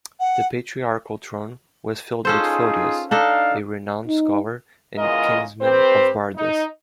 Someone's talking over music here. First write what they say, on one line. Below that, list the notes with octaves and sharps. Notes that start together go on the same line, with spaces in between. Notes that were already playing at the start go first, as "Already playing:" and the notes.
The patriarchal throne was filled with Photius, a renowned scholar and kinsman of Bardas.
F#5
C#4 D#4 F4 G#4 A4 C5
D4 D#4 A4 D5 F5
D#4
E2 C#3 G#3 F4 A#4 D#5
C4 G4 B4 C5
D#4